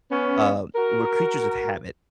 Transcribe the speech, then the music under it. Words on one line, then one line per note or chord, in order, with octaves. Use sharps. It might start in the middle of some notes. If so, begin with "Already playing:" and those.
uh, we're creatures of habit,
B3 C#4
F#4 A#4